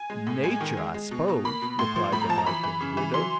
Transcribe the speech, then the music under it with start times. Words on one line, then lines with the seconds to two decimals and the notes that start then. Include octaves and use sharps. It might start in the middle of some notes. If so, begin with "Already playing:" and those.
"Nature, I s'pose!" replied the white-haired widow.
Already playing: G#5
0.10 G#3
0.27 A2
0.43 G#3 G#5
0.61 D#3
0.77 G#3
0.94 G#3
1.11 B2
1.28 B2
1.45 A#3 B5
1.62 B2
1.79 A2 C6
1.96 F3
2.12 A2 B5
2.22 A#5
2.29 F3 A5
2.38 A#5
2.46 E3 B5
2.63 E3
2.81 C#3
2.97 E3
3.14 F#3 C6